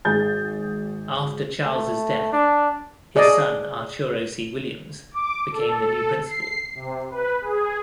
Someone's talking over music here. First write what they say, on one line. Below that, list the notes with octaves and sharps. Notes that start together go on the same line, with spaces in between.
After Charles' death, his son Arturo C. Williams became the new Principal.
G#1 G#4 G6 A6
A3
D4
G#4 D5 D#5
D6
A4
C7
C3
B4
G#4